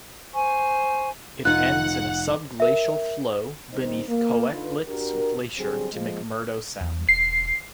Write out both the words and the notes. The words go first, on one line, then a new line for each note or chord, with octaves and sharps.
It ends in a sub-glacial flow beneath Koettlitz Glacier to McMurdo Sound.
C5 G#5 C#6
F1 D#4 F4 F#5 F#6
A#4 E5
D#3 G3 C4 D#4 C5 D#5
A#3
D3 D4 D#4 F4 B4
D4 F#4 G4 A#4
D3 F#3 G3 C4 G#4
F3 G#3 A#3
E2
E1 C7